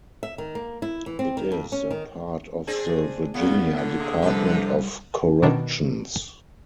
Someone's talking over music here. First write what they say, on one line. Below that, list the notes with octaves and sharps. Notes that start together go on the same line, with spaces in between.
It is a part of the Virginia Department of Corrections.
E5
D#3
A#3
E4
E3
C4
D#3
F2
C#4
D#3
C4 D4 G#4
A2 C#3 B3
D3
C3 A#3 G#4
C2 C3 F3 B4
B2 D#3 D4